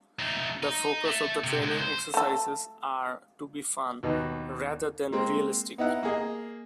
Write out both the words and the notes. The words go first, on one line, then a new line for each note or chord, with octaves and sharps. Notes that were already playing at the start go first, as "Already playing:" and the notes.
The focus of the training exercises are to be fun, rather than realistic.
A3 D#4
D#4
A3
C3
C#2
C5
A3 A4
D#2 B2 D#4 B4
G#3 A#3 C4
B3 D#4 E4 F#5
A#3 G#4 D#5